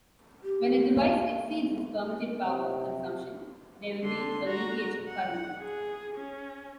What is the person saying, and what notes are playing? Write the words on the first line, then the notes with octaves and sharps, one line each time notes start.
When a device exceeds its permitted power consumption, there will be a leakage current.
G4
A#3 F5
C3
D3 C6
F#4 A#5
F#5
G#4
C#4